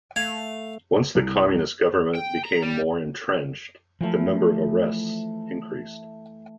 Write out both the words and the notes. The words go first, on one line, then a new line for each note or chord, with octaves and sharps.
Once the Communist government became more entrenched, the number of arrests increased.
A3 F5 G#6
C2
G5
A#5
G3
E3 F3 A3